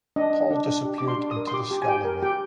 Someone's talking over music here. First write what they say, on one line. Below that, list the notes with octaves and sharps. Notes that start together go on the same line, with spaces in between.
Paul disappeared into the scullery.
D4 D#5
D4
D4
D4
G4
D4 D6
C6
D4
D#6
A#4
C6
G4 D6
G4
G#5
G4 G5
A#4
G4 G5